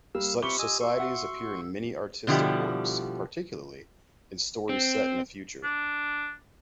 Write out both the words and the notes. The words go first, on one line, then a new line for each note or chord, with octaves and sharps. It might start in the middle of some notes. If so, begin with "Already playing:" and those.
Such societies appear in many artistic works, particularly in stories set in a future.
G3 A#3 F5 E6
C4 F4 G4 E5 B5 C#6 G7
D#5 G#5 D#6 E6
F#4 C6 C#6 E6
E5 F#5
B2 D3 F3 G3 E4 G4
C4
D4